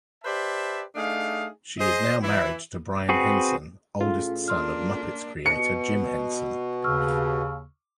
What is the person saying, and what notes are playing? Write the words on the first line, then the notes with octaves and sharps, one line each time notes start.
She is now married to Brian Henson, oldest son of Muppets creator Jim Henson.
G4 B4 C5 D5 E5 A5
A3 D4 D#4 G#4 F5
G#4 C5 D#5
E3 E4
C4 F#4 G#4 B4
A2 C#4 F4 G#4 A4
A#3 D4 C6 F6
B2 C#7
D#2 C#3 C#6 E6 F6